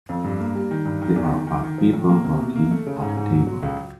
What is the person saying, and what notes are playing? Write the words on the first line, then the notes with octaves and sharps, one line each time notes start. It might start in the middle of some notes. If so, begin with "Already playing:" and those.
There are five people working at a table.
F2
G2
A#3
G3
D#3
G2
D#3
E2
D#3
D#3
D#3
F3
A2
A#3
C3
B2
A#3
A3
C#3
G#2
G#2
F#3
F#3
C#2